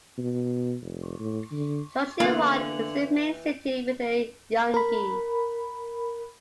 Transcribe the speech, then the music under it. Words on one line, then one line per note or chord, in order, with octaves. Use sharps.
Jochiwon is the main city within Yeongi.
B2
F1
A2
D3
D3 E3 A#3 B3 F4
A#4 B5